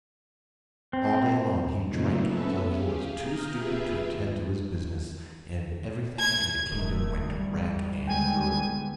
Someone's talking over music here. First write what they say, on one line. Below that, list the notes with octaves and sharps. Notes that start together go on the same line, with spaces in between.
All day long he drank till he was too stupid to attend to his business, and everything in the kingdom went to rack and ruin.
C4
A#2 C#3 F#3 A3 C4 D#4
B3 C#4 A4 B4 E5
G4 G#4 F5
A#5 D#6 F6 G6
F4 G4 G#4 B4 E5
D#2
G#6
D#1 D#3 A3
G#1 G#2 G3
D3 G#3 B3 G5 G#5